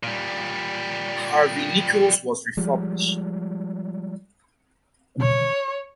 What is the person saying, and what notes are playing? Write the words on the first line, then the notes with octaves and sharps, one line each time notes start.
Harvey Nichols was refurbished.
A#2 G3
F3 G3 G#3
C#5